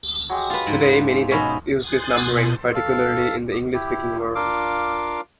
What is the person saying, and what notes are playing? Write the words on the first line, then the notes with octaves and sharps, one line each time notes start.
Today many decks use this numbering, particularly in the English-speaking world.
F#3 G#3 G4
F4 B4
G#2
B2 C#4 D#4 E5 B5
G#5 C6 D#6 F#6 G6 A6
B2
A4 F5
E4 G4
D4 F4 A#4 F5 D6